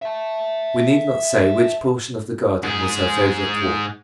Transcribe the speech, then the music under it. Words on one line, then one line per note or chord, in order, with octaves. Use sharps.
We need not say which portion of the garden was her favorite walk.
E5 A5
G#2 G#4